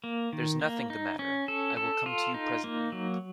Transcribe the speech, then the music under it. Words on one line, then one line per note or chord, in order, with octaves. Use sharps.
There's nothing the matter; I will come to you presently.
A#3
D#3
A#3
D#4
C#4
A4
A4
F4
D#4
A#3
F#3